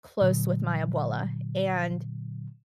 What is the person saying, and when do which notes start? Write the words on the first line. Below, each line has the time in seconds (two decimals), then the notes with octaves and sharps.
close with my abuela, and,
0.21 A#2 D3 F#3